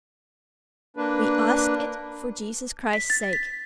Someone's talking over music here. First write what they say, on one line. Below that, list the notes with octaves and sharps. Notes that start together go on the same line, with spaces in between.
We ask it for Jesus Christ's sake.
A#3 D4 B4
B6
A6
B6